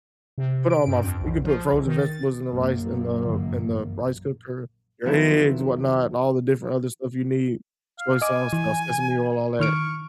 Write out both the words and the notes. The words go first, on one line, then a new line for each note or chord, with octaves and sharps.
put all my f you can put frozen vegetables in the rice, in the in the rice cooker, your eggs, whatnot, and all the different other stuff you need, soy sauce, uh, sesame oil, all that
C3
D7
G2
F2
B1
F3
C2
D#3
A6
A#1 F#2 A#3
G2 D3 E3
F2 D#3 F3 F#3 B3 E4
F5
D#5 G#5 D6
E3
D#3 C#6 F6 D7